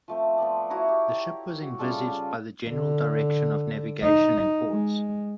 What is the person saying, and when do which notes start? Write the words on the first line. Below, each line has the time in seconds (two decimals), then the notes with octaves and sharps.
The ship was envisaged by the General Direction of Navigation and Ports.
0.08 F3 A3 C4
0.38 F3 B3 D5
0.70 E4 F#4 C#5 A#5
0.88 G4
1.61 F#4
1.79 C#3 G3 F4 A4
2.68 D3
4.02 D#4
4.69 G#3